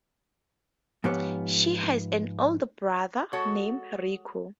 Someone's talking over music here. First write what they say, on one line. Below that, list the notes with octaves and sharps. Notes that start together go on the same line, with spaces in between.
She has an older brother named Riku.
G#2 F3 B3 G4 B4 C#5
G#3 F#4 A4 C#5 F#5